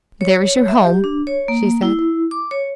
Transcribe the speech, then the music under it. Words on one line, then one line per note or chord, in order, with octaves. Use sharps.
"There is your home," she said.
C#5
E5
G4
D4
C#5
A#3
E4
D6
C#5